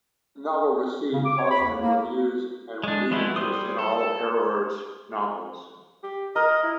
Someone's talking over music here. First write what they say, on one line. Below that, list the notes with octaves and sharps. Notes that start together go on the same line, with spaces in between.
The novel received positive reviews and renewed interest in all of Harrower's novels.
C#3
D6
C#5
B5
D#2
A#3
G#3 D4
F3 G#3 A3 B3 E4
G3 C5 D#6
A4
G4
A#4 D#5
E4